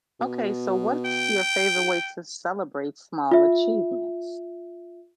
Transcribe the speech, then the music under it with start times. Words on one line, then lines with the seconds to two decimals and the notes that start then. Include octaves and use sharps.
Okay. So what's your favorite way to celebrate small achievements?
0.20 B2
1.05 G5
3.31 F4 E5